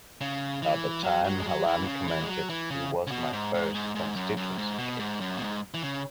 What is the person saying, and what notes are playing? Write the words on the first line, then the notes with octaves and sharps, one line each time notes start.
At the time Hallam commented He was my first constituency case.
C#3
E3
F#3
F#3
G#3
F#3
E3
B2
C#3
E3
G#3
F#3
E3
C#3
C#3
B2
G#2
G#2
G#2
G#2
F#2
F#2
G#2
B2
G#2
F#2
B2
G#2
E3
C#3